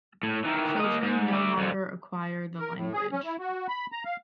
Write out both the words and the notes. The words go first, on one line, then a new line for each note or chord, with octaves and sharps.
Children no longer acquire the language.
A2
D#3 E3
A#3 D#5
G#2
A3 D5
F2 D3
A#4
A2
G#4
C#4
E4
F#4
B5
A#5
F5